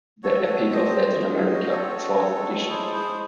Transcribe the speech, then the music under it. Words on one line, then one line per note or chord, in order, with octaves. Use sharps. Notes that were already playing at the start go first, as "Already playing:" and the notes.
The Epic of Latin America, Fourth Edition.
F#4 A4 C#5
C4 F#5
C#5 E5
G#3
C4 C5 D#5
G#3
G#3
G#3
G#3
F#4
C4 A4 C#5
F#4
F#4
C4
G#3
G#3
E4 G#4 C5
E4
G#4 C5
G#3